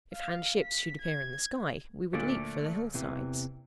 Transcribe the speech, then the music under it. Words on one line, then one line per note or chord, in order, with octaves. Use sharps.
If Han ships should appear in the sky, we would leap for the hillsides.
F5
B6
G#6
D2 A#2 D3 A3 D5
E2 C3 E3